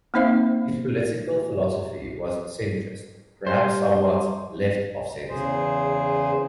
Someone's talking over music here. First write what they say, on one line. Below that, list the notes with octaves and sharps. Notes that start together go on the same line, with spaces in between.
His political philosophy was centrist, perhaps somewhat left-of-centre.
A#3 C4 D#4 C5 E5 F5
G3 C5
E2 C#3 G#4 C5